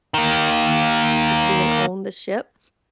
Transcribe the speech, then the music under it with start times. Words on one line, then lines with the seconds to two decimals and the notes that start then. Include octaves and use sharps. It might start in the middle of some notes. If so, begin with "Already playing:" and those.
is being on the ship
0.14 D#3 A#3